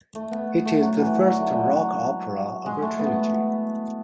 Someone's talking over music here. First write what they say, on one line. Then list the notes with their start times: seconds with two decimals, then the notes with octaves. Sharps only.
It is the first rock opera of a trilogy.
0.15 A3
0.31 B3
0.65 A3
0.82 F#3
0.99 E3
1.15 D3
1.28 F#3
1.40 A3
1.53 G#3
1.65 F#3
2.66 G#3
2.82 A3
2.99 B3